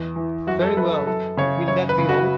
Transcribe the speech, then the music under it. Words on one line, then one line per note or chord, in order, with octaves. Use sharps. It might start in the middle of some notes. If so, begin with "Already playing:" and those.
Very well, will that be all?
Already playing: E2
E3
F#2 F#4
A4
F#2 B4
A4
F#2 A4
C#3 C#5
F#2 C#5
B4
C#3
F#4